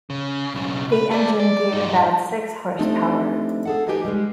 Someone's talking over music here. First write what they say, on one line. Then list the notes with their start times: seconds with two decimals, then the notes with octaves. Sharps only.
The engine gave about six horse-power.
0.10 C#3
0.54 B1 C#3
0.92 B4
1.11 G#4 D5
1.40 D5
1.72 G2 D#4
2.79 F3 A3 C4 D4 D#4 G4
3.65 G#4 A4 F#5
3.88 F3 D#4 G4 G#4 B4 D#5
4.05 G3 G#3